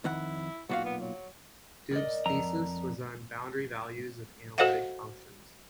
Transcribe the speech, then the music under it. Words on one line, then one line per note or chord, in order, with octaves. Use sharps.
Doob's thesis was on boundary values of analytic functions.
F2 D#3 E4 F#5
B1 A#2 F#4 F5
B3
F#3
A#4 D5 D#5
F2 A#5
F#4 A4 C5 D#5 F5 F#5